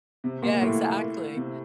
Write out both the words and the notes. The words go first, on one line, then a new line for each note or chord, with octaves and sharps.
Yeah, exactly.
C3
A#2
A2
C3